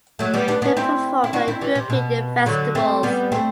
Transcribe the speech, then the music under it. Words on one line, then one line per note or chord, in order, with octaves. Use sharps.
They performed at European festivals.
F#3 A3
G3 B3
B3 D4
B3 D4
C4 E4
E4
D4 F#4
C4 E4
E3 G3
C3
B2
D3 F#3
A3 C4
G3 B3
A3 C4